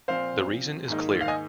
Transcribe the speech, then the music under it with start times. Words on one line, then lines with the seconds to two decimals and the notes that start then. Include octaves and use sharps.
The reason is clear.
0.08 A#2 F3 C4 C5 F5
0.88 G#2 D#3 A#3 D#4
1.21 F5
1.28 D#5 G#5